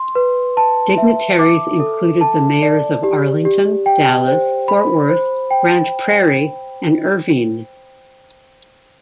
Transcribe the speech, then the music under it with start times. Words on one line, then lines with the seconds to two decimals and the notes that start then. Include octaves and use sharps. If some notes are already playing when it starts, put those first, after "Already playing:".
Dignitaries included the mayors of Arlington, Dallas, Fort Worth, Grand Prairie, and Irving.
Already playing: C6
0.15 B4
0.57 A5
0.98 E5
1.39 D6
1.80 A4
2.21 A5
2.62 D5
3.03 G4
3.45 G4
3.86 G5
4.28 C5
4.68 B5
5.10 C5
5.51 G5